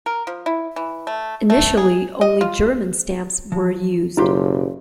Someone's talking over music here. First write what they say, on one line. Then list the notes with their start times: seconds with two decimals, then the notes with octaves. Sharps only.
Initially only German stamps were used.
0.06 A#4
0.27 F3
0.46 E4
0.76 E3
1.07 A3
1.50 A3
1.77 G#4
2.21 D#5
2.41 F4
3.52 F3
4.17 F#1 B1 D#4 F4 G4 C6